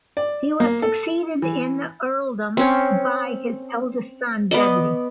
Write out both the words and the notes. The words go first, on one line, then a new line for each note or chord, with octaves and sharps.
He was succeeded in the earldom by his eldest son, Dudley.
D5
A#3
A4
E3
C4 C#4
B3 D5 D#5